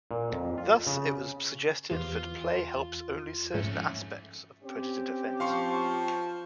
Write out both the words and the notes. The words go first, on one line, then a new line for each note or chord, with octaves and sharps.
Thus, it was suggested that play helps develop only certain aspects of predator defence.
A#2
F2
F4
C#3
E2 F4 G4 B4
G#2 F3 G#3 A3 C#4
C4 C#4 G4 C5
F3 F5 C6 C#6